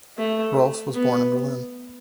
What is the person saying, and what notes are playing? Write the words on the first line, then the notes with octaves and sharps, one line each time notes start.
Rohlfs was born in Berlin.
A3
B3